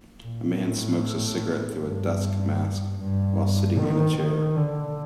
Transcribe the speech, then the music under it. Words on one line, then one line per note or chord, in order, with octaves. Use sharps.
A man smokes a cigarette through a dusk mask while sitting in a chair.
A#2
A2
G2
G2
D#3
D#3
D3